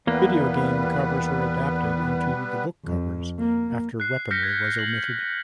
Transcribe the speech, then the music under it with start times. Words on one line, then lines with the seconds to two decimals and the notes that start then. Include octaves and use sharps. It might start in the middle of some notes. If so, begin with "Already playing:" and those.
Video game covers were adapted into the book covers after weaponry was omitted.
0.07 E2 G3 A#3 B3 B4
2.85 F2
3.39 A#3
4.00 F#6 C7
4.31 F6 G6 A#6 B6 C#7
4.43 G#6
4.79 F#7